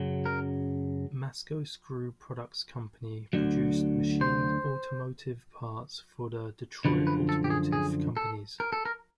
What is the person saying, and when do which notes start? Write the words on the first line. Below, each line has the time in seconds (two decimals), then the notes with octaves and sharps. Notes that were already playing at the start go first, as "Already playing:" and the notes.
Masco Screw Products Company produced machined automotive parts for the Detroit automotive companies.
Already playing: F#2 C#3 F#3
0.26 A#4
3.33 D2 D3 F#3
4.21 C5
6.85 F#2 D3 F3 B4
7.07 B4
7.29 A4
7.44 G4
7.50 G#4
7.72 G#4
8.17 A4
8.60 A#4
8.72 A4
8.85 A#4